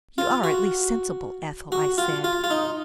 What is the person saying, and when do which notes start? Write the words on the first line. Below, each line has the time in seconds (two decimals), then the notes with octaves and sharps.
"You are at least sensible, Ethel," I said.
0.18 F4
0.44 F#4
1.72 F#4
1.98 F4
2.24 F4
2.44 F4
2.50 D#4